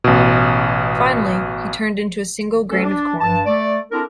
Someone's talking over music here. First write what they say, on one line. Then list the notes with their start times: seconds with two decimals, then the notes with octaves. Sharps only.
Finally, he turned into a single grain of corn.
0.04 A1 B2
2.69 D2 A3 C#4 A4
2.83 D4
3.20 G2 A5
3.45 A3 D5
3.91 C4 D4 E4 A4 A#4